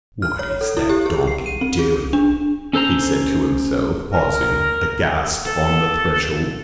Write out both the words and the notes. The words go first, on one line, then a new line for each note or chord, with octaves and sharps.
"What is that donkey doing?" he said to himself, pausing, aghast, on the threshold.
F6
C#5
A4
E4
G4
G#4
C7
D#7
C4
G#4
D4
C#4 A4 C5 A#5
A#4
A4